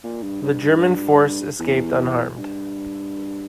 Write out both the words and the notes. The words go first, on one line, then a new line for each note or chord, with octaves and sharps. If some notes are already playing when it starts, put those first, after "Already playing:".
The German force escaped unharmed.
A#2
G2
G2
G2
E2
G2